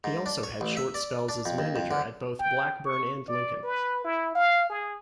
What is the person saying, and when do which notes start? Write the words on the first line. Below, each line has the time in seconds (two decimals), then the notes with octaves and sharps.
He also had short spells as manager at both Blackburn and Lincoln.
0.04 G#2
0.26 D4
0.43 C#5
0.61 A1
0.77 E5
0.94 D5
1.29 D4
1.46 F2
1.58 D#2
1.76 F2
1.91 D3
2.39 G5
2.85 C#6
3.28 D5
3.63 B4
4.04 E4
4.35 F5
4.70 G#4